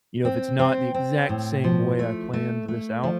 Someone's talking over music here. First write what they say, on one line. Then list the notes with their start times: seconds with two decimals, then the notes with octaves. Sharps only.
you know, "If it's not the exact same way I planned this out,
0.25 C4
0.59 C4
0.94 C4
1.29 A2
1.64 F3
1.99 A3
2.33 A3
2.68 A3
3.03 F3